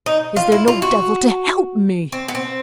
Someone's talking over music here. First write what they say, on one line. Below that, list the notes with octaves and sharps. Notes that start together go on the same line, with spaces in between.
Is there no devil to help me?'
D#4
F4
E4
F4
F#4
C4
B3
C4